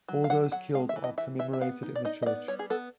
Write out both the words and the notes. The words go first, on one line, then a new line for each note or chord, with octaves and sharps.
All those killed are commemorated in the church.
F#3
F5
F#3 F#5
F#3 F#5
G#3 F5
E5
E3
D#5
E3 E5
E3 E5
E5
B3 F5
D#4
D5
D#4 D#5
D#5
B3 D5
G3 C#5
G#4
B3 A4